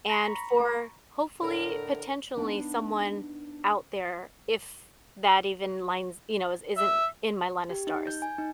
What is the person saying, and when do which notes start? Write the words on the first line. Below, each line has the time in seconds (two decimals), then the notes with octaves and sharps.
and for, hopefully, potentially, someone out there if that even lines you know, i isn't in my line of stars.
0.10 A#5 B5 C#6
1.41 A2 D3 A#4
2.37 B3 D4 D#4
6.77 E5
7.70 G4
7.87 D#4
8.07 G6
8.22 G#5
8.38 D#4